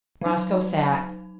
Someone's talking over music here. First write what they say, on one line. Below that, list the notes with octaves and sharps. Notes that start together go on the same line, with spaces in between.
Roscoe sat.
F#3 D#4